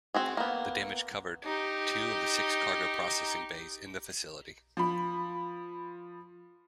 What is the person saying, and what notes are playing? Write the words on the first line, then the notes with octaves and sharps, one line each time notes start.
The damage covered two of the six cargo processing bays in the facility.
C4 F#4 G#4
A#3 B3
D#4 G4
F3 B5